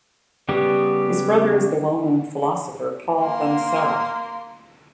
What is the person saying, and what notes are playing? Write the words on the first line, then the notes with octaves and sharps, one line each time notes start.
His brother is the well-known philosopher Paul Benacerraf.
C#3 G3 B3 G4
A#3 C6